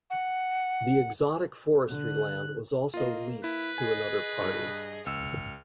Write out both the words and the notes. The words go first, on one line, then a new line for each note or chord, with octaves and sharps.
The exotic forestry land was also leased to another party.
F#5
D3 F#6
A#3 F4 D#5
E4 B4
G#4 D#5 G#5
G2
C#2 E6 F6 C#7